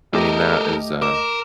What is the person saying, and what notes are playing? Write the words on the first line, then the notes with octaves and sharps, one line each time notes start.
I mean that is a
A3 G4 A4 A#4 D#5
A#4 D6 E7